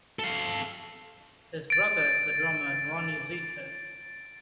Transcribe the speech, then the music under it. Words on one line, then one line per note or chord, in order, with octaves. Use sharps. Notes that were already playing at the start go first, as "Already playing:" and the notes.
His brother is the drummer Ronnie Zito.
A4 F5
A6 D7